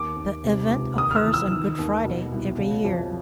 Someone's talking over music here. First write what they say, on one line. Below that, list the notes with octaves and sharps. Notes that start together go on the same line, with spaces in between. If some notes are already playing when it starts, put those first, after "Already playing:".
The event occurs on Good Friday every year.
Already playing: D#2 D6
D#2
C3
C#2
D#2 D#6
F6
E6
E3
E6
D#3
D#2
B2
C2
C#3
F2